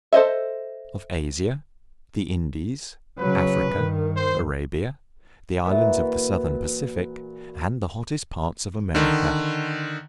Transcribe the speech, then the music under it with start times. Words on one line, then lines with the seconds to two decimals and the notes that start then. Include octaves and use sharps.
Of Asia, the Indies, Africa, Arabia, the Islands of the Southern Pacific, and the hottest parts of America.
0.13 A4 C5 D#5 E5
3.19 C#3 F#3 B4
3.70 G2 D#3
4.17 C5
5.64 A#2 E3 F#4 E5
8.95 D3 D#3